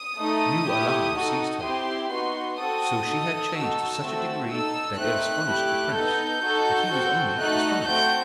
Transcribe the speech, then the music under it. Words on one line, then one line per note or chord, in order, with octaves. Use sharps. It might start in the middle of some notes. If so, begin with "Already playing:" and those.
New alarm seized her: so she had changed to such a degree that it astonished the prince, but he was only astonished.
Already playing: D#6
A3 D#4 A4
A3 E4 G4
D#4 F#4 A4
C4 E4 G4 C6
B3 D#4 F#4 C6
C4 F#4 A4 D#6
D#4 A4
D#4 F#4 A4 E6
A3 C4 F#4 A4
D#4 A4 E6
A3 C4 D#4 F#6
A3 E4 G4
B3 D#4 A4 G6
D#4 F#4 A4
C4 F#4 A4
A3 D#4 F#4 A4 F#6
A3 C4 F#4 G6